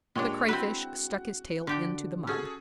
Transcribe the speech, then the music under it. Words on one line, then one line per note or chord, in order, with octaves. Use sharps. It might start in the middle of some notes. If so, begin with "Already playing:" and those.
The Crayfish stuck his tail into the mud.
A#2 G#3 D4 G4 C#5
C4 E4 F#4 B4
D3 G4 G5
C#4 F#4 G#4 A4